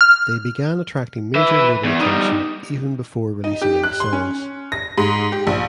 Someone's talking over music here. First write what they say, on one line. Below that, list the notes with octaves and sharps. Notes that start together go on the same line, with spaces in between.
They began attracting major label attention even before releasing any songs.
F6
B4 E5
E2
G3 D#4
D#4
G4
F#6
C6
C#4
A#6
G#2
G4
A#1